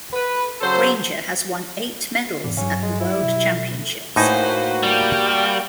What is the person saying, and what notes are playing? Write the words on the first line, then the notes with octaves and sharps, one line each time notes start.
Grainger has won eight medals at the World Championships.
B4
C#3 F#3 A4 C5
E2 G#2
G2 F#3 C#4 F5
G#3
E4 E5
B2
A2 A#3 D#4 F#4 B4 C5 G#5
G3 G5